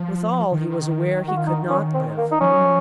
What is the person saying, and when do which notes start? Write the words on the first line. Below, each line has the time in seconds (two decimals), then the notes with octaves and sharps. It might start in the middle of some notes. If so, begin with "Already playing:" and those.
Withal he was aware he could not live.
Already playing: F3
0.52 D#3
1.28 F#4
1.37 F4
1.47 D#4
1.70 C#4
1.94 C4
2.18 A#3
2.32 D#4
2.41 F3 C#4
2.53 F#3
2.64 F3